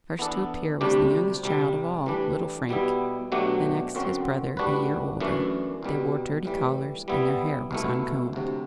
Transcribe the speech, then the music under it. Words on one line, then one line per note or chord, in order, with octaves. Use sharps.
The first to appear was the youngest child of all, little Frank; the next his brother, a year older; they wore dirty collars, and their hair was uncombed.
E3 B3 D4 A4
D2 C3 G3 D4 G4
C2 C3 G3
A2 E3 G3 D4
B2 G3 B3 E4
B2 F#3 A3 D4 G4
F#2 D3 F#3 C4 F#4
A2 G3 D4 F#4 B4
F#2 E3 A3 D4
C2 B2 G3
A2 E3 G3
G3 B3 E4
C2 B2 A3 E4
D2 C3 F#3